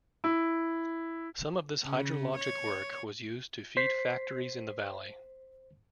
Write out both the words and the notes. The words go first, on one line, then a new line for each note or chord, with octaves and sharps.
Some of this hydrologic work was used to feed factories in the valley.
E4
C#3
C#5
C5 B6 C7